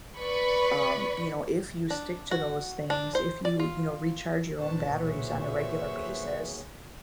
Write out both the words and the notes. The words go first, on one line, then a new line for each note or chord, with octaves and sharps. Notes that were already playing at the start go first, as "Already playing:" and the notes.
um, you know, that if you stick to those things, if you, you know, recharge your own batteries on a regular basis,
B4 D5 B5 C#6
D4
F#4
D4
C5
D5
F4
B1 F#2 A#2 D4 B4 C5 A5 C#6
D#2 F#3 G#4 C5 C#5 E5